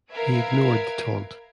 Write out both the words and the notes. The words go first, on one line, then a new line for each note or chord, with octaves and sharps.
He ignored the taunt.
A#4 B4 E5 F5 G#6 D7